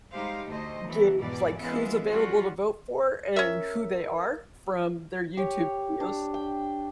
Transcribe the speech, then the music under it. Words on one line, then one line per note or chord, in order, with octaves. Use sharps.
gauge, like, who's available to vote for and who they are from their YouTube videos.
G3 G#3 D#4 G4 C5 F5
D2 A3 C5 D#5
E3 F#3 B3 E4
E2 G#2 B2 E3 D5
E3 G#3 B3 C#4 F4 E5
G3 C#4 F4 F#4
C#4 A#4 E5 E6
G4 C#5
D4
G5